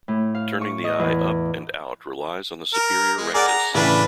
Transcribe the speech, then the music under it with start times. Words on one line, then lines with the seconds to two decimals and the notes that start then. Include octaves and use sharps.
Turning the eye up and out relies on the superior rectus.
0.08 A2
0.35 F5
0.61 C#6
0.84 D#5
0.99 E2
2.74 A#4
3.18 G#3
3.34 G#4 A#4 D5 F#5
3.47 A#5
3.75 A2 C#3 E3 D4 B4